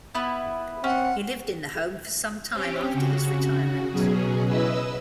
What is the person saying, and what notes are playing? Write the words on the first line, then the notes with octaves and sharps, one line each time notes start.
He lived in the home for some time after his retirement.
B3 E4 B4
C4 C#4 F#5
C4 C#4 G4
C#3 F#4
B2 F#3 C#4 G#4
E4 B4 D#5 E6